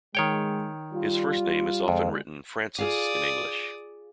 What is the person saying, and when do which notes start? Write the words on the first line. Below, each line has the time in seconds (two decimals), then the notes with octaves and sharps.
His first name is often written 'Francis' in English.
0.15 D#3 G#3 C#5 G5
0.93 G3 F4
1.88 F2 D3 G#3
2.79 F4 G#4 D5 F5 D#6